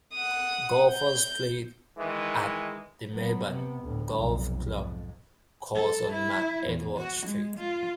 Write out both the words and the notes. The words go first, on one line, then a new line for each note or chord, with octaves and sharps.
Golfers play at the Merbein Golf Club course on McEdward Street.
F#5 D#6
G6
D#3 E3 G#3 D#4
F#3 B3
C3 B3
D2 A2
F1 B1
F2 G#2
A4
E4
E2
F#4
G#3
F4